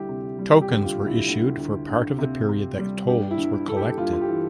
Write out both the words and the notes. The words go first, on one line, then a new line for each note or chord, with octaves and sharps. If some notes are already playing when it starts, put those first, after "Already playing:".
Tokens were issued for part of the period that tolls were collected.
Already playing: D2 G3 E4 G4
C3
G3
G4
D2
F4
D2
E4
D2
D2
D2
C3
C3
G3
G2 G4
E4
G2
E4
G2 A4
G4
G2 F4
F4
G4
E3